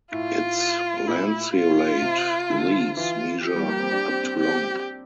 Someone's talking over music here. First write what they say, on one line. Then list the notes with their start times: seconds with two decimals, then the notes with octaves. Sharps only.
Its lanceolate leaves measure up to long.
0.12 A2 F4
1.07 A#2 E4
1.55 F4
2.02 C3
2.50 D3
2.97 E3 F4
3.44 F3 G4
3.56 G3
3.68 A#3
3.80 C4
3.92 D4
4.08 C4
4.23 C4
4.39 C4 G4